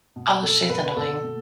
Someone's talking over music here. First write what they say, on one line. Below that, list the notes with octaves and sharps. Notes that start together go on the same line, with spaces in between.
Oh, she's annoying.
B2
B2 A4
B2 B4
B4
B2 A4
B2